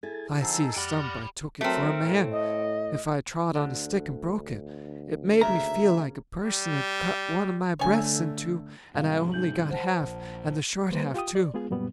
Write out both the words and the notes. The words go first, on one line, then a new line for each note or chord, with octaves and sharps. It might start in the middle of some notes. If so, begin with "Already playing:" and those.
If I see a stump, I took it for a man; if I trod on a stick and broke it, it made me feel like a person had cut one of my breaths in two and I only got half, and the short half, too.
E4 G#4 A4 G#6 A6
D3 F3 D#4 G#4 A4 A5 E6
F2 G4 D5 F#5 G5 B5 F6 A#6
F#3 A3 C4 A#4
A2
D#5
D2 D3
C#3 A#3 E5 A#5
G3
D3 A3 C#5 G#5
G#2 C3 G3 F5
D#4 G6 F#7
C5 F#5 A5
A#1
G3 A#3 B4 C5
F4 G4 G5 D#6
D5
G#3 B3 F4 G#4
F#2 A#2 G3 B3